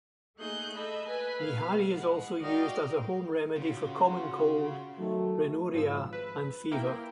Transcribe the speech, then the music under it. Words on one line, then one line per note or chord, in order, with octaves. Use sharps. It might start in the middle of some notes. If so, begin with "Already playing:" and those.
Nihari is also used as a home remedy for Common cold, Rhinorrhea and Fever.
A3 A#3 D#4 G#4 F#6 G6
A4 D#5 E5 B5
B4 G#5
B2 F5
G#3 B4 F#5
F#4 A#4 D5 D#5 F5 G5
C#3 F4 F#4
D#3 F#3 A3
G#1 F3 E6
B4
A#3 E4 A#4 G5